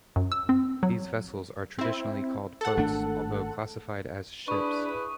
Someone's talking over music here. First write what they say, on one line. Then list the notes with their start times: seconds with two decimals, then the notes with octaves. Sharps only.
These vessels are traditionally called boats, although classified as ships.
0.16 F#2
0.32 E6
0.49 C4
0.83 F#3
1.79 C4 E4
2.61 A4 F#5
2.77 G#1 A3 D4
4.48 D4 E4 G#4 B4 C#6 D#6